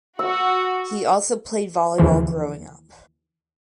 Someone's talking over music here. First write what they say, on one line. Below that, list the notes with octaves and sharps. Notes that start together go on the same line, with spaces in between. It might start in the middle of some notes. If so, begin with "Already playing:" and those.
He also played volleyball growing up.
F#4 E6
D#2 C#3 E3 F3